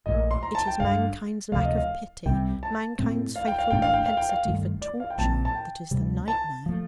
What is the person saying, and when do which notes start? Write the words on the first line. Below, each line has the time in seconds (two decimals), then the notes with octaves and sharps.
It is mankind's lack of pity, mankind's fatal propensity for torture, that is the nightmare.
0.06 A#1 A#2 A3 D#5
0.31 C6
0.43 A#5
0.55 A5
0.67 G5
0.80 G1 G2 D3 F5
1.52 D2 C3 F3 A3 F5
1.65 D#5
1.77 F5
2.26 C2 C3 G3 G5
2.63 A5
2.99 A2 A3 C4
3.36 F5
3.48 G5
3.59 F5
3.71 A1 A2 A3 D4 G5
3.82 F5
3.94 G5
4.06 F5
4.17 G5
4.29 F5
4.45 G1 G2 D#3 A3
4.82 D5
5.00 F5
5.10 G5
5.18 A#1 A#2 F3 C4 A5
5.45 A5
5.55 G5
5.91 D2 C3 G3
6.28 A5
6.66 F3 A3